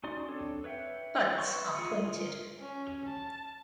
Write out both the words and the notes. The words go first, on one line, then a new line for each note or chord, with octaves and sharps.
Buds are pointed.
C#4 D#4 F#4 D5 C6
C4 D4 A4 C#5
B4 C#5 E5 F#5 G5
E4 B4 C6 C#6
F4 G#4 F#5
F4 A#4
C#4
A5